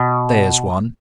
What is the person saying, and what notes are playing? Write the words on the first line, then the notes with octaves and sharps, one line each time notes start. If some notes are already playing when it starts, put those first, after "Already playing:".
There's one!
Already playing: B2